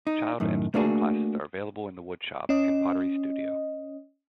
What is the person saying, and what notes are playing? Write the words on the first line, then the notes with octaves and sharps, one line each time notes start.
Child and adult classes are available in the wood shop and pottery studio.
D#4
F#2 A2 D#3
A3 A#3 D4 F#4 G#4
C#4 D#5